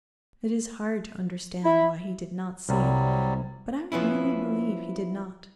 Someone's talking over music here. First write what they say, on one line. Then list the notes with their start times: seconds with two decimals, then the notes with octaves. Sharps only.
It is hard to understand why he did not see it, but I really believe he did not.
1.64 E4
2.69 C2 F#3 G3
3.92 F3 B3 C#4 E4